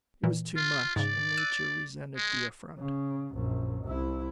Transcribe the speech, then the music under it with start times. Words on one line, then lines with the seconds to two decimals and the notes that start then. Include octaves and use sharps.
It was too much, and Nature resented the affront.
0.24 A#2 E3
0.57 F4
0.96 G#2 C#3 D5
1.37 E6 F#6 D#7
2.16 G#3
2.78 C#3
3.33 A#1 F#2
3.84 C2 E4